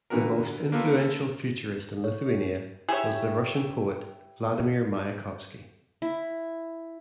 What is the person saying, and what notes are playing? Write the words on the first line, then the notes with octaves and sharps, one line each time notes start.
The most influential futurist in Lithuania was the Russian poet Vladimir Mayakovsky.
D3 E3 B3 F#4 A#4
A#3 B3 F4 A4
C#5
E4 G4 G#4 C#5 E5
E4